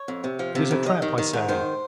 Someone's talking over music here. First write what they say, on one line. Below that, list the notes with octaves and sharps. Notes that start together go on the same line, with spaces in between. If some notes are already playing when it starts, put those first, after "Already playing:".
It is a trap, I say.
Already playing: C#5
F2
C3
F3
C3
F2
D#3 D#5
D#3
D#3
G#2
D#3 C5